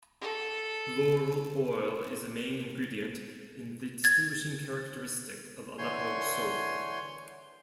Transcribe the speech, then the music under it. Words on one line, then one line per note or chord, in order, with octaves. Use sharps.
Laurel oil is a main ingredient, and the distinguishing characteristic of Aleppo soap.
A4
G#6 A6
D3 E3 C#5 G#5 C6 G6